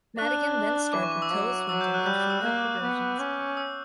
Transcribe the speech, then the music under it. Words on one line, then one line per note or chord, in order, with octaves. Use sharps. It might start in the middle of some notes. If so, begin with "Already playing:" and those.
Madigan then starred with Tilda Swinton in "Female Perversions".
D4 F#6
E3 D6
C#6
D6
E6
F#3 D6
F#3 E6
G6
F#6
G3 G6
F#6
E6
A#3 F#6
B3
C#4
E6